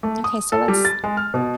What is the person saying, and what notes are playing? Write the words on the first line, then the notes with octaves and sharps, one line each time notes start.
Okay, so let's
A3
D#6
A4
G3
A6
G#3
F6
B2